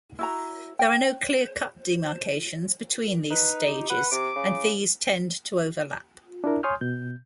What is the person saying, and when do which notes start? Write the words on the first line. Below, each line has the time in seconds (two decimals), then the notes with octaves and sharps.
There are no clear-cut demarcations between these stages and these tend to overlap.
0.19 E4 F#4 A#5
0.79 G5
3.31 D#4 B4
3.65 G4
3.90 B4 F#5
4.12 C3 D6
4.36 C#3
6.44 D4 E4 A#4
6.63 C#5 G#5 C6 D#6 F6 G6
6.81 B2 G6